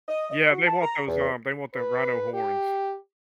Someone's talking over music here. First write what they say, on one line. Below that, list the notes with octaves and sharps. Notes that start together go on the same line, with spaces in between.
Yeah, they want those, um, they want the rhino horns.
D#5
D#5
F#4
A5
A#5
E2
B4
G4